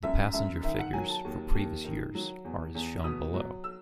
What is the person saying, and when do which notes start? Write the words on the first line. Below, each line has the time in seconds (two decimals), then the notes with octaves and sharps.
The passenger figures for previous years are as shown below.
0.03 F#2 E5
0.33 F#2 E5
0.63 D#3 E5
0.79 F#5
0.93 F#3 G#5
1.09 A5
1.25 D#2
1.55 D#2
1.85 D#3
2.15 F#3
2.44 E2
2.74 E2
3.04 B2 D#6
3.34 F#3
3.64 E6